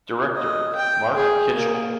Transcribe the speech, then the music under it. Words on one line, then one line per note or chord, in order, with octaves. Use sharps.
Director, Mark Kitchell.
D#5
G5
G#4
A#3